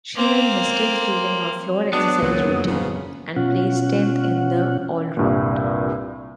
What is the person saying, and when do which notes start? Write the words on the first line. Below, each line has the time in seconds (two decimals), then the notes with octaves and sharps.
She made mistakes during her floor exercise routine and placed tenth in the all-around.
0.15 A#3 C4
1.93 F#3 B3 D4
2.22 F#1 C#2 A#2 C#3 F#3
2.49 F2
2.68 D#1 F#2 C#3 F3 F#3 B3
3.36 B2 C#4 F4 F#5
5.17 C2 G2 A#2